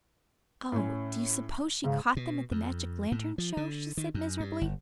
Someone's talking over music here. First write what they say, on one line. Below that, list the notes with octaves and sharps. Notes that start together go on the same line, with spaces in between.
"Oh, do you suppose she caught them at the magic lantern show?" she said miserably.
A2 C#4
G#2 C#3
B2
F2
A2
F3
D3
D#3
F#2
G2
G1